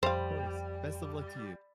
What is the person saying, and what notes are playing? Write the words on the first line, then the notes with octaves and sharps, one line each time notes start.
Of course, best of luck to you.
F2 G3 C5 F5